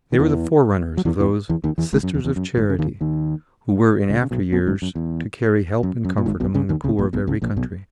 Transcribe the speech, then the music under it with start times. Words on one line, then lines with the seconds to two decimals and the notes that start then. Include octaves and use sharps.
They were the forerunners of those "Sisters of Charity" who were in after years to carry help and comfort among the poor of every country.
0.12 D#3
0.19 E2 E3
0.97 F#3
1.05 E2 E3
1.20 E2 E3
1.49 E2 E3
1.64 D#2 D#3
1.78 E2 E3
1.93 G#1 G#2
2.03 F#2
2.14 E2
2.25 E2
2.36 F#2
2.57 G#1 G#2
2.70 C#3
2.79 D#2 D#3
3.01 D#2 D#3
4.09 C#2 C#3
4.22 C#3
4.31 B1 B2
4.52 B1 B2
4.67 G#1 G#2
4.82 F#2
4.95 E2
5.83 F#2
6.05 F#2
6.18 A#2
6.26 G#1 G#2
6.40 B1 B2
6.54 C#2 C#3
6.69 D#2 D#3
6.84 C#2 C#3
6.98 A#1 A#2
7.13 B1 B2
7.27 C#2 C#3
7.42 A#1 A#2
7.57 B1 B2